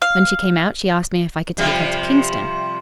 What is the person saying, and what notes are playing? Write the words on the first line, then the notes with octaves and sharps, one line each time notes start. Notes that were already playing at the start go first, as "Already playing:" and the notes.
When she came out she asked me if I could take her to Kingston.
F5
C3 F3 G3